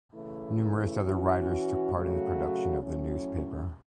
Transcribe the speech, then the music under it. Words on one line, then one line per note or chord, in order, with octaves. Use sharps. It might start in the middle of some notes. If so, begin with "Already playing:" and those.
Numerous other writers took part in the production of the newspaper.
C#3 E3 A3 E4
E3 C#4 F#4
C#3 F#3 A3 F#4
A2 F#3 C#4